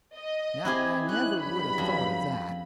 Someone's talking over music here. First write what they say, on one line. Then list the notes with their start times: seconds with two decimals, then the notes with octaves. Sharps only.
Now I never would 'a' thought of that.
0.15 D#5
0.65 C4 E4 G4 G#4
1.09 F3 C#4 D#4 E4 F#6
1.41 E2 G2 F#3 B5
1.78 F2